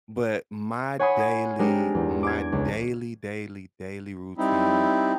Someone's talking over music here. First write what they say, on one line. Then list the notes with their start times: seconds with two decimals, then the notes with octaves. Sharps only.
But my daily my daily, daily, daily routine
0.99 C#5 F#5 G#5 B5 C6 D#6
1.19 D#6 G#6 D#7
1.59 G#3 C4 D4 G4 A#4
1.95 E2
2.23 D6 G#6
2.52 C#2
4.38 G3 C4 D#4 E4